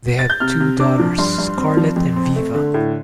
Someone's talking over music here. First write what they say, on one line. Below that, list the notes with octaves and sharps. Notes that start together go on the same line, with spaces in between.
They have two daughters, Scarlett and Viva.
A6
G6
C3 F6
C3
D4 D6
F3
G2 C6
G2
C4
F3
F2
C4
A3
D3
A2